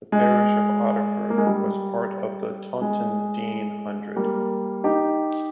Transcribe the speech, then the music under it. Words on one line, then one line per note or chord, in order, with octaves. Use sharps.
The parish of Otterford was part of the Taunton Deane Hundred.
G#3
A#3
G#3
G3
G#3
G3 A#3
D#4 G4